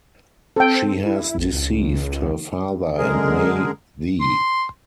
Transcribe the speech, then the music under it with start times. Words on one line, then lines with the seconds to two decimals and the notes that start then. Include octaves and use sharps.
She has deceived her father and may thee.
0.56 C4 A4 G5
1.06 E4
1.38 A1
1.52 C#2
2.98 F#2 D3 G#3 G#4 A#4
4.21 C6